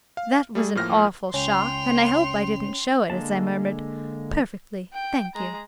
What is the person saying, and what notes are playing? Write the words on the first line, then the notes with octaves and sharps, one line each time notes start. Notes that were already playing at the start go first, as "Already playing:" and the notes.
That was an awful shock, and I hope I didn't show it as I murmured "Perfectly, thank you."
F5
G3 A3 G#4
A2 F3 A#3 F6 A#6
C#2 C#4 G5 C6 F7
D3 G#3 A#3 A5
G5
G#3 A#5